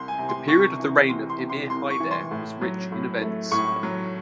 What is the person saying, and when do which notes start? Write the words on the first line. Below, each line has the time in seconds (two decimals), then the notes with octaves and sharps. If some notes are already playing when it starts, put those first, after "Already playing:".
The period of the reign of Emir Haydar was rich in events.
Already playing: C2 C6
0.08 G#5
0.18 C3
0.29 C6
0.48 C2 C#6
0.80 E3
1.09 C2 C6
1.30 C6
1.40 C3
1.50 C6
1.70 C2 C6
1.90 C#6
2.00 E3
2.11 C6
2.31 A2
2.61 F#3
2.92 A2
3.21 A3
3.52 A2 C#6
3.83 F#3